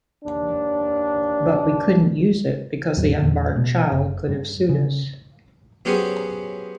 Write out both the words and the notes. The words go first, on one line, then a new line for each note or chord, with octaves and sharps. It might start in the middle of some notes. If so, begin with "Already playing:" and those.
But we couldn't use it because the unborn child could have sued us.
D#2 D4
D#2 G#2 F#3
E2 A#2
B2
F#1
G2
C#3
F#3 B3 C#4 G4 G#4 C5